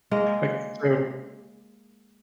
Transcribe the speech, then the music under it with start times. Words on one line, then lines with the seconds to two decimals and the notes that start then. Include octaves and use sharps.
Like, so
0.11 G#3 A#3 D#5